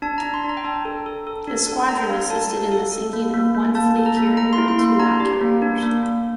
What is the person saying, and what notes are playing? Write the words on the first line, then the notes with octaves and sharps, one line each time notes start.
His squadron assisted in the sinking of one fleet carrier and two light carriers.
D4 A5
A#5
D4
C6
D4
A#5
G5
D4 A5
A4
A4
A4
D4
A4
D4 A#5
D4 F5
A4 A5
A4
A4
A4
A#3
A#3
A#3
A#3 A5
A4
A#5
A#3
A#3 A#5
C6
E4
C6
A#3 C6
D4 A#5
G4
A#3
D4
A#3
A#3